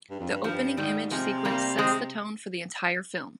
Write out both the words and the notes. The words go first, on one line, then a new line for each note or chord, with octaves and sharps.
The opening image sequence sets the tone for the entire film.
G2
F2
G2
G2 F3
G#2 D#3 G3
C3 F3 G#3
G3 A#3
G#3 C4